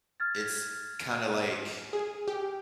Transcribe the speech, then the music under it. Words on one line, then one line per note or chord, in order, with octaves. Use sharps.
it's kinda like,
F6 G#6 A6
G#4
G4